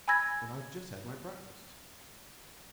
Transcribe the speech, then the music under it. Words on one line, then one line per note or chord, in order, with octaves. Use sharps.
And I've just had my breakfast.
G#5 B5 E6 G#6 A#6